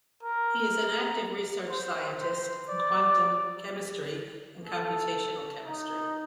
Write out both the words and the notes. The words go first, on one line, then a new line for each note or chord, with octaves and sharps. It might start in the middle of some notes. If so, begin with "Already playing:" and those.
He is an active research scientist in quantum chemistry and computational chemistry.
A#4
C5
C5
D5
A4
D#4